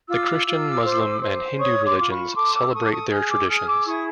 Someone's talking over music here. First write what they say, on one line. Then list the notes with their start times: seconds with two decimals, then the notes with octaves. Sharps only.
The Christian, Muslim, and Hindu religions celebrate their traditions.
0.08 F4 D6 E6
0.45 F4
0.83 C5
1.21 C5
1.59 C#5 C#6 D#6
1.84 C6 D6
1.97 F4 D6
2.09 B5 C#6
2.34 A4 C6 D6
2.54 D6 E6
2.67 E6
2.73 A4 C#6 D#6
2.85 D6
2.91 C#6 D#6
3.10 G#4 D#6 F6
3.29 D6 E6
3.48 G#4 D#6 F6
3.67 D6 E6
3.85 E4 C#6 D#6